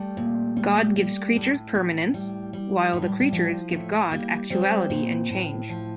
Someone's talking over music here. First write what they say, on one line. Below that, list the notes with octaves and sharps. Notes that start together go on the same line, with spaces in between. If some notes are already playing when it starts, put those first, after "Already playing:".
God gives creatures permanence, while the creatures give God actuality and change.
Already playing: G3 A3
A#2
G3
G3
A2
A2
G3
G3
A2 A3
G3
G3
F3
A2 A3
G3 A#3
G3 C4
A#2
A2
F3